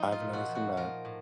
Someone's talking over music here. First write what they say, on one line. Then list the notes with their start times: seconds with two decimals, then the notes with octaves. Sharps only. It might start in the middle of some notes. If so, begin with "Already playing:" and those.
I've never seen that.
Already playing: F3 D#4
0.12 F4
0.20 A#2
0.33 F#4
0.49 F3
0.55 F#4
0.77 F3 A#4
1.05 A2